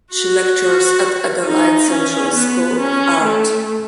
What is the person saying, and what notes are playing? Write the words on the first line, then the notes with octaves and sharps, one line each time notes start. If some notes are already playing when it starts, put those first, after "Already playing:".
She lectures at Adelaide Central School of Art.
F#4
D#4
C#4
B3
C#4
A3